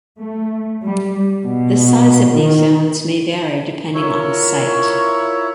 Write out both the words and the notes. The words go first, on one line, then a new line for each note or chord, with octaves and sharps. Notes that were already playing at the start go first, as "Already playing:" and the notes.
The size of these zones may vary depending on the site.
A3
G3
B2
D#3
E4 F4 A#4 C#5